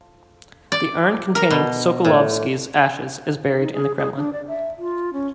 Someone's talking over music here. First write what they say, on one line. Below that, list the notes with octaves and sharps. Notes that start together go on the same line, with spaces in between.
The urn containing Sokolovsky's ashes is buried in the Kremlin.
D5
A#4
B2
A2
D#4
G#4
G#4
D4
D5
E5
F4
C#4